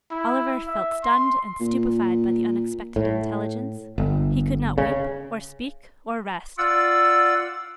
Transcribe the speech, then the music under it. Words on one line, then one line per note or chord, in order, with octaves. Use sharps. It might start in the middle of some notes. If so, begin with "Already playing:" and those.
Oliver felt stunned and stupefied by the unexpected intelligence; he could not weep, or speak, or rest.
E4
E5
C6
A#2
A2
G1
C#3
F4 D5 F#5 E6